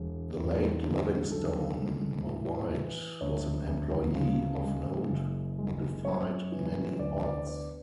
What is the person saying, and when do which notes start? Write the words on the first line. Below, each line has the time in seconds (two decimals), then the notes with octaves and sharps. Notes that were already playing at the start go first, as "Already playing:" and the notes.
The late Livingstone Mahwite was an employee of note who defied many odds.
Already playing: E1
0.37 E2
0.84 D3
1.31 B1 A4
1.79 G#3
2.26 A2
2.74 E3
3.21 D2 C#5
3.68 D2
4.15 C#3
4.63 G#3
5.10 F#1
5.58 G#3
6.05 F#2 C#5
6.52 E3
6.99 D2 D5
7.24 D5
7.47 B3 D5